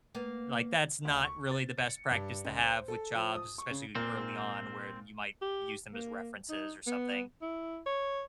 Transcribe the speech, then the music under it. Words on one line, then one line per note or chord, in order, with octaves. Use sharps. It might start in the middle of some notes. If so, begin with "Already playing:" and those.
like, that's not really the best practice to have with jobs, especially early on where you might use them as references or something.
A#3 B3
D2
C#6
A6
C#7
G2
C#2
C5
A4
F3
D#6
C#6
C#3
A#2 A#3 C4
G4
A#3
D#4
B3
E4
C#5